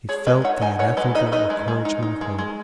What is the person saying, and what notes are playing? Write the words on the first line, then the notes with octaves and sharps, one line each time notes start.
He felt the ineffable encouragement of hope.
G#3 G#4 C#5
G#3 B4 D#5
D#4 C#5 F#5
D#4 D#5 G#5
G#3 C#5 F#5
G#3 B4 D#5
D#4 B4 D#5
D#4 B4 D#5
G#3
G#3
D#4
D#4
G#3
G#3